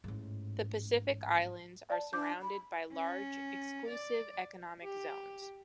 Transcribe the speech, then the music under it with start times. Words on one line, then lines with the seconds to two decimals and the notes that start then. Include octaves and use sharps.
The Pacific islands are surrounded by large Exclusive Economic Zones.
0.04 A1 G#2
1.90 D5 A5
2.13 D4 D6 G6
2.42 B5
2.92 C#4
3.88 D5
4.83 G4